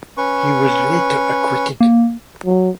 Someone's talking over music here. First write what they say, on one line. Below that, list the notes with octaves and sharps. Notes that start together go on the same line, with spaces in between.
He was later acquitted.
C#4 B4 C#6
A#3
F#3